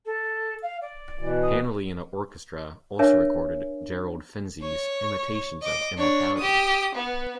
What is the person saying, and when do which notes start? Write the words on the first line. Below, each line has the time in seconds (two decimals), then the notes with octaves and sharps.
Handley and the orchestra also recorded Gerald Finzi's "Intimations of Immortality".
0.05 A4
0.62 F5
0.81 D5
1.19 B2 E3
1.42 D#6
2.99 D4 A#4 C#5 E5 G#5
4.63 C#5
5.62 D#5 D6
5.98 D4 C#5
6.38 G4 D#6
6.95 B3